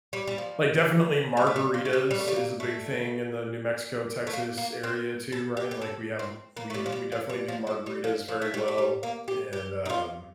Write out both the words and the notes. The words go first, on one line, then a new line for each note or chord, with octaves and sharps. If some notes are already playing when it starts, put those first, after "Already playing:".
like, definitely margaritas is a big thing in the New Mexico, Texas area too, right, like, we have we we definitely do margaritas very well. And, um
G3
G3
F3
G3
A3
G3
F3
A3
G3
G3
A3
G3
A#3
A3
A3
A#3
A#3
C4
A4
G4
G4
A4
C4
A#3
A3
G3
F3
G3
F3
G3
F3
F3
G3
F3
F3
A3
G3
A3
G3
A#3
G4
G4
D#4
F4